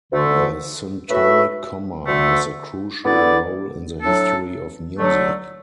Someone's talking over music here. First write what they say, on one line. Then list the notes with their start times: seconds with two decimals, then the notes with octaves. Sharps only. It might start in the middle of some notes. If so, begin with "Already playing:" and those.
The syntonic comma has a crucial role in the history of music.
0.12 D2 D3 A3
1.09 A2 A3 F#4 B4 E5
2.07 D2 D3 A3
3.04 D3 B3 E4 D5
4.01 A2 F#3 D4 A4
4.98 D3 F#3 A3